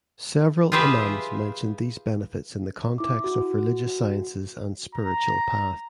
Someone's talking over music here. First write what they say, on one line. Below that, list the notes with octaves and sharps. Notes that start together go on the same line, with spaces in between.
Several Imams mentioned these benefits in the context of religious sciences and spiritual path.
F4 G4 G#4 B4 E5
E4 D6
F#4
A#5